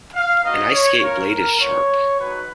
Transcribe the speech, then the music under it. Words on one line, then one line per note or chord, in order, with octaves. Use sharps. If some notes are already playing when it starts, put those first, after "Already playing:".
An ice skate blade is sharp.
F5
B3 D#4 F#4 D#5
C#5
A#3 C#4 F4 A#4
A#4
B3 F4 C#5
G#3 D#4 F#4 B4